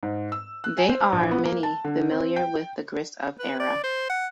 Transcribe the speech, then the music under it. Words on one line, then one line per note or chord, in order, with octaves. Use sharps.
They are many familiar with the Gris of Error.
G#2
E6
F#6
G#5
C5
A#1
B3
A#3
A5
D3
C4
G5
B4
D5
C5
F#5